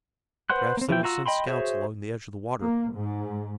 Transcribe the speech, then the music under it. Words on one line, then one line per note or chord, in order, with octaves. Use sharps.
Perhaps they will send scouts along the edge of the water.
B4 C5 F#5 C6 F#6
A#3 C4
E3 F3 E4 G5
F4 F#4 A#5 E6
D#5 G5 B5 C6
F#4 G#4 C5 C#5 E5
A#3
G#2